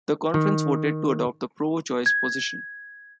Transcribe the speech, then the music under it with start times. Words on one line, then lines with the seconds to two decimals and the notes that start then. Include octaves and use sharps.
The conference voted to adopt the pro-choice position.
0.34 D#3
2.06 G#6